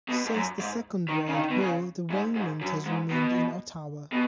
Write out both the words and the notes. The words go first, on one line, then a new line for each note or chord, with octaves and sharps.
Since the Second World War, the regiment has remained in Ottawa.
B2
G#2
F#2
G#2
D#3
C#3
D#3
B2
C#3
G#2
G#2
F#2
G#2
B2
B2